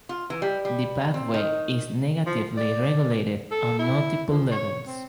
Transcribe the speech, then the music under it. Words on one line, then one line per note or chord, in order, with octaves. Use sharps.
The pathway is negatively regulated on multiple levels.
F4
E3
G3
G3
C4
D#3
F3
D5
A4
E4
F3
C#5
C4